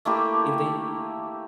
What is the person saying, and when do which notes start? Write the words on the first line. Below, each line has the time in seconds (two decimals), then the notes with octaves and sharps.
If they
0.05 A3 A#3 E4 G4